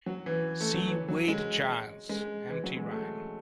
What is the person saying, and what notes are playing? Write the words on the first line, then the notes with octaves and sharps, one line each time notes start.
See Wade–Giles → Empty rime.
F#3
E3
A3
F#3
E3
F#3
G#3
G#3
E3
F#3
G#3
A3